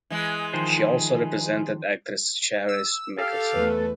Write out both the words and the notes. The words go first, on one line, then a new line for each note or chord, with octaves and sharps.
She also represented actress Charis Michelsen.
E3 G#3
D#3 F3 C5
E6
G4 A4 F5
E2 A3 B4